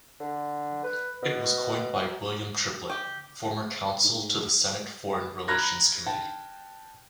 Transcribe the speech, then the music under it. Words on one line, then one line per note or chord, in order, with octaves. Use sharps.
It was coined by William Triplett, former counsel to the Senate Foreign Relations Committee.
D3
B4
B2
G4
G#2
A#5 B5 F6 F#6 G#6 A#6
G5 A5